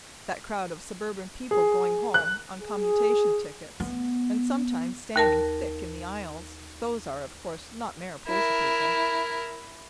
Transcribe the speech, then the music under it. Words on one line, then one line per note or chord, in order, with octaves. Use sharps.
That crowd of suburban people going home on commutation tickets and sometimes standing thick in the aisles, those are, of course, not Mariposa people.
G#4
F#6
G#4
B3
D#2 A#4 A5
E4 A#4